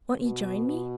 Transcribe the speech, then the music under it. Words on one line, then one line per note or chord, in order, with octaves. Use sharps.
Won't you join me?
B2
B2